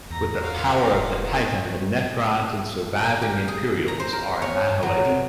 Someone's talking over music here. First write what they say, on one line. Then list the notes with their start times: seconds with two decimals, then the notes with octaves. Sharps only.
With the power of the Titan, the Necrons and surviving Imperials are annihilated.
0.11 E2 A#5
0.41 F4 F#4 A#4 F5
0.93 E1
1.25 D#3
2.99 A#4
3.22 G4
3.48 G#4
3.88 A#5
4.00 C5
4.13 A#4
4.42 C#5
4.83 F#3
5.05 C3